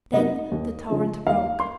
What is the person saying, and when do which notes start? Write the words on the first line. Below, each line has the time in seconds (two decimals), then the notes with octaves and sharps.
Then the torrent broke.
0.13 C3 F#3 A#3 D#4 D#5
0.51 D#2
0.90 C#3 F3 G#3 C#4
1.27 D#2 F5
1.60 C6